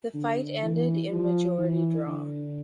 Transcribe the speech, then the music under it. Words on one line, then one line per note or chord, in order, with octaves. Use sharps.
The fight ended in majority draw.
D3
E3
F3
E3
D3